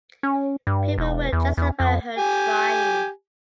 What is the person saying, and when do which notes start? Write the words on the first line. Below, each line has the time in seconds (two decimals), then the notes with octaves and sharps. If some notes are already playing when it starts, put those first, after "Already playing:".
People will justify her trying.
0.23 C#4
0.67 G2
0.98 E1
1.33 E2
1.57 E2
1.80 F2
2.18 G4 G#5